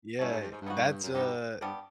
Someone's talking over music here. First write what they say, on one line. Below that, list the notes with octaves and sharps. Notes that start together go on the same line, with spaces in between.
Yeah. That's a
G2 A3 C#4 E4
G#2
G2
G#2
G2
B3 D#4 F#4
F#2
G2 B3 D#4 G4
G2 G3 B3 D4 G4